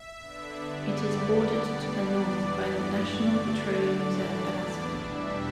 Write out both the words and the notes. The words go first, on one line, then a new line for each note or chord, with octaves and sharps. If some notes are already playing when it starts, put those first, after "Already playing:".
It is bordered to the north by the National Petroleum Reserve-Alaska.
Already playing: E5
D3 B3 D4
G2 D3 G3 B3 D5
E2 D3 B3
B2 G3 B3 D4
E2 E3 B3 D4
G2 E3 B3 D5
G2 D3 A3 D4 D5
D3 A3 D4
A2 E3 A3 D4 D5
E2 E3 B3 D4
E2 B2 G3 D4 E5